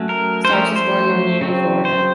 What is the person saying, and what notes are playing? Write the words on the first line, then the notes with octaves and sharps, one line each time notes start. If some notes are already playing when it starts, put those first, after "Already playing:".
Starks was born in Orlando, Florida.
Already playing: F#3 A3 C#4
A#4
C5
F3 A3 C#4 A#4
C5
C#3 F#3 C4
C5